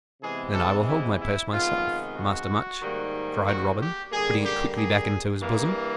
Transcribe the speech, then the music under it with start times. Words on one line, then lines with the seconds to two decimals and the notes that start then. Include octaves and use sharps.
"Then I will hold my purse myself, Master Much," cried Robin, putting it quickly back into his bosom.
0.22 C3 E3 G#3 B3 G#4
0.54 A4
0.88 E4
1.20 E4
1.52 C3 D#3 G#3 B3 F4
2.17 F#4
2.82 G#2 D#3 G3 A#3
3.47 F#4
3.80 G4
4.12 D3 G3 A#3 G#4
4.45 G4
4.77 G#4
5.42 G2 E3 G3 A#3